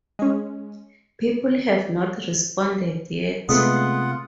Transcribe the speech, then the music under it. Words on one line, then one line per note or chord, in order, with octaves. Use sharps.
People have not responded yet.
G#3 C#4
C3 G#3 A3 B3 F4 F#5 D#6